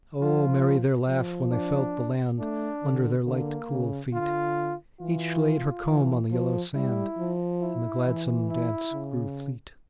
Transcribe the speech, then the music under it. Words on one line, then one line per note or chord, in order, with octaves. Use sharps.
O merry their laugh when they felt the land Under their light cool feet! Each laid her comb on the yellow sand, And the gladsome dance grew fleet.
F3 F4
F3
D4
A3 D4
D3
D3 A#3
C#3
D3 F4
E3 F4
E3
F3
G3 E4
F3
E4
E3
E4
C#3